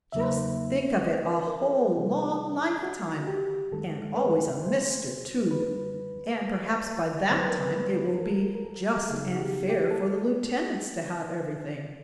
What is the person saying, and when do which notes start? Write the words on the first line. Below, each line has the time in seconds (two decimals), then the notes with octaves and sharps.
Just think of it--a whole long lifetime--and always a Mister, too--and perhaps by that time it will be "just and fair" for the lieutenants to have everything!
0.12 E2 C#3 F#3 A#3 D#4 E5
1.02 D#5
1.26 B4
1.37 B4
1.47 A#4
1.61 G#4
1.71 A4
1.92 C3 D#3 G3 C4 D#4 G#4
2.83 F#4
3.27 G4
3.71 G2 D#3 G#3 C#4 A4
4.16 B4
4.62 C5
5.51 F#2 D3 G3 B4
7.31 G2 D3 F#3 B3 C5
7.40 B4
7.49 A#4
7.59 B4
7.76 B4
8.20 A#4
8.55 A#4
8.65 A4
9.10 C#3 F#3 B3 D#4 G#4
9.35 F#4
9.39 G4
9.70 G4
9.91 A4